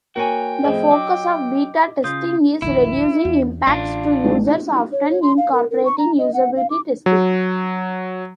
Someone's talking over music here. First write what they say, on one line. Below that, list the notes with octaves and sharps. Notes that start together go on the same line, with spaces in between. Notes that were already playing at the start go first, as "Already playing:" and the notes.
The focus of beta testing is reducing impacts to users, often incorporating usability testing.
A#3 F#4 C#5 G5 G#5
F2 A2 E4 G#4 C5 D#5
F#3 D6
C#3 F4 D#6 G6
E1 A#1 D#3 E4
E2
A1 D4 F4
C#5
C#5
C6
F5
A#4
A#4
C#6
A#5
D#5
F#5
F5
D6
F#3